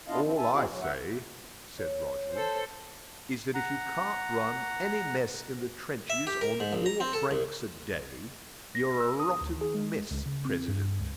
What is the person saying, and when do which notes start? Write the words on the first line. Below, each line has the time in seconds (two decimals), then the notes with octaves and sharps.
"All I say," said Rogers, "is that, if you can't run any mess in the trenches on four francs a day, you're a rotten mess president."
0.08 B3 D4 E4 F4 D#5 F5
0.21 F3 C4
0.37 E5 G#5 A5
0.52 E3 C4 E4 F#4 G#4
0.69 F#3
0.81 D3 E5 F#5
1.79 C#5
2.31 A4 C5
3.54 F#5 A#5
6.10 E5
6.27 G4
6.41 A#4
6.60 G#2
6.73 A#1
6.86 A#5
7.00 C4
7.13 A4
7.31 C2
8.75 A#6
9.00 E6
9.20 D#6
9.41 D2
9.61 G#4
9.74 G#3
10.11 C#2
10.26 C#3
10.45 C4
10.68 G2
11.00 C#2